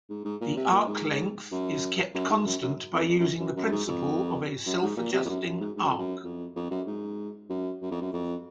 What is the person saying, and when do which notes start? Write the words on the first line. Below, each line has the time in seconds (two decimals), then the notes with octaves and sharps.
The arc length is kept constant by using the principle of a self-adjusting arc.
0.09 G#2
0.25 G#2
0.41 A#2
0.57 C3
0.71 A#2
0.87 G#2
1.51 F#2
2.14 F#2
2.30 G#2
2.45 F#2
2.61 F#2
2.93 F2
3.09 F2
3.19 F#2
3.39 F#2
3.56 F#2
3.71 G#2
3.88 F2
4.66 F#2
4.82 G#2
4.97 A#2
5.13 C3
5.25 F2
5.29 F#2
5.45 F#2
5.60 G#2
5.76 G#2
5.83 F#2
5.90 F2
5.98 F#2
6.24 F2
6.56 F2
6.70 F#2
6.87 G#2
7.49 F#2
7.82 F#2
7.91 F2
8.01 F#2
8.13 F2